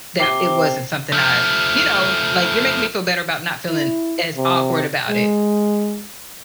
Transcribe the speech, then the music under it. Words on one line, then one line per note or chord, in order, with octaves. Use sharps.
that it wasn't something I you know, like, you're making me feel better about not feeling as awkward about it.
C3 C4 D6 C7 G7
F3 A3
E4
C3
G#3